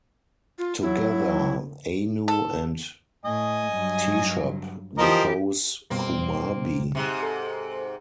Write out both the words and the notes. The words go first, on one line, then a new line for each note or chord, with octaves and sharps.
Together, Anu and Teshub depose Kumarbi.
F4
F#3 E4
A4
A2 D#5 G#5
G2 F#3
E3 F3 G4 A#4 D#5
F#2 B2 G3 A#3 C4
G#2 C3
A4